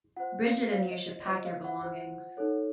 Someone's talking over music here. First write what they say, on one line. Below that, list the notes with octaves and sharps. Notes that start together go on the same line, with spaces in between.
Bridget and you should pack your belongings.
F4 C5 F#5
F5
F4 C5 F5
D#5
D#5
F4 C5 D#5
F5
F#5
F4 C5
D#4 A4 C#5